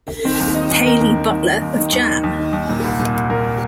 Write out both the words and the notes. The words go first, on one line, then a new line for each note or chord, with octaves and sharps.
Hayley Butler of Jam!
D#3 C4
D#2
D#3 D#4
D#2
D#3 A#4
D#2
D#3
D#2
D#3
D#2
D#3
D#2
D#3
D#2
D#3
D#2
A#2
C2
A#2
C2
A#2 A#4